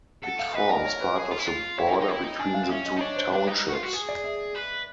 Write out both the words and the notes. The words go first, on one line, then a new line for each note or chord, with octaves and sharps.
It forms part of the border between the two townships.
A4 F#5
F5
B4 D#5
A#4 D5
C#5
B4
G#4
F4
E4
F4
E4 C#5
D#4
E4
D#4
E4 G5
D#4
D4 G#5
F5
C4
C#4 E5
D#5
D#4
D4 C#5
C5
D4 B4
D#4
F#4
F4
F#4
G#4
D5
E5
B4